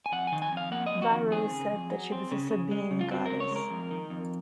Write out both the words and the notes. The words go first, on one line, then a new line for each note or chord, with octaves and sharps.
Varro said she was a Sabine goddess.
G#5
F2 F#5
D#3 G#5
G#5
F2
F5
A#3 F#5
D#5
F2
F#4
D#3
C4 G#4
C#3
F2
F#3
C4
C#3
C#3
G#3
C#3
F4
C4 F#4
A#4
C#3
C#5
G#3 A#4
F2
D#3
F2